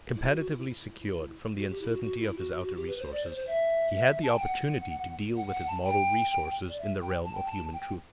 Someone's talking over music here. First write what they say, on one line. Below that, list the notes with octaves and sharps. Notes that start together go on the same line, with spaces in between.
Comparatively secured from the uncertainty of his outer resources, he had the opportunity to deal with his moral resources in the realm of human truth.
E4
F#4
F#4
E4
E4
F#4
G4
E4
F#4
F#4
E4
F#4
F#4
F#4
G4
B4
C5
D5
C5
C5
E5
A5
G5
F#5
F#5
F#5
A5
G5
D5
E5
G5
A5
G5
A5
G5